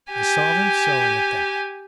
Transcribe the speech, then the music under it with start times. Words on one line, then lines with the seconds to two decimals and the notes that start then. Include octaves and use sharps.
I saw them selling at that.
0.12 G4 G#5